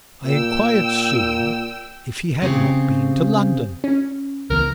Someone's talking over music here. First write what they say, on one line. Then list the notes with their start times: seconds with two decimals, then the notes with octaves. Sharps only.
I inquired soon if he had not been to London.
0.24 A#2 G5 E6
2.42 C#3 C4 G4 G#4
3.84 C#4
4.50 C#2 E3 B3 A#4